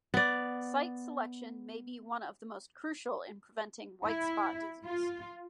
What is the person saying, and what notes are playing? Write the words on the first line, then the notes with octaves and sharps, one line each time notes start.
Site selection may be one of the most crucial in preventing White Spot Disease.
B3 D5
E4
F4